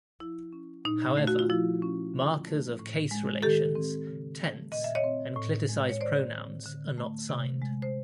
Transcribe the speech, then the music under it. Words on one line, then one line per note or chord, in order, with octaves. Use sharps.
However, markers of case relations, tense, and cliticised pronouns are not signed.
F3 E4
C#4
A#2 D#4
A3
F#4
F4
F3 E4
C#4
D3
A3
A2
G#3
D#3 G4 A4
C4
C#3
A3
A#2 D#5
E5
C#5 D#5
C4
A2
G#3
C#5
D#3 C5 D5
C4
D3
A3
C3
G#3
C5